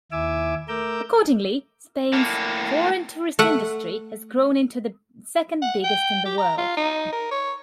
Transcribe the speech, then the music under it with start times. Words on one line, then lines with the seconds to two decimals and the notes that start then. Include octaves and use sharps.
Accordingly, Spain's foreign tourist industry has grown into the second-biggest in the world.
0.12 D#2 E4 E5 G#5 D6 E6
0.68 A3 A#4 A#5 D6 E6 G6
2.13 A2 A#3
3.39 A3 F#5
5.62 F#5
5.84 G5
6.25 G4
6.38 A#5
6.58 F4
6.77 D#4
7.12 A#4
7.31 C#5